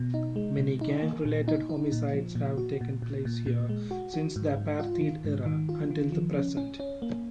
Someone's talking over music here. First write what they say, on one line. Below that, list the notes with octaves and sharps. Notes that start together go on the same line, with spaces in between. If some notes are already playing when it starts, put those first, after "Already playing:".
Many gang-related homicides have taken place here since the Apartheid-era until the present.
Already playing: B2
D#4
G#3
B2
D#4
A#3
A#2
D#4
D#4
A#2
F3
A#2
F#4
A#2
A#2
A#2
A#2
G#3
F#4
F#4
G#2
G#2
F4
D#3
G#2
D#3
F4
D#3
F3
C#4
C#4
C#4
A#3